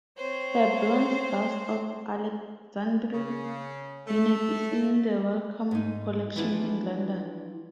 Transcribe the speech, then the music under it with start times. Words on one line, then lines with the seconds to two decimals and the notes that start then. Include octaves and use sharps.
Her bronze bust of Alexandre Vinet is in the Wellcome Collection in London.
0.18 C4 C5 C#5
3.13 C#3
4.07 A3
5.71 G#2 D#4
6.36 E3 F3 B3 D4 E4 F4